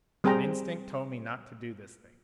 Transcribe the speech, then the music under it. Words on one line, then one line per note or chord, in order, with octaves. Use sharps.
An instinct told me not to do this thing.
G3 C4 G#4 C5 G5 A#5